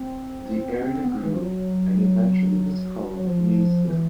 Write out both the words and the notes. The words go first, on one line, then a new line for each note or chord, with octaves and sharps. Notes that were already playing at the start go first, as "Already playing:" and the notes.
The area grew and eventually was called Mayesville.
Already playing: C4
C4
B3
C4
E3
F3
F#3
F#3
F3
E3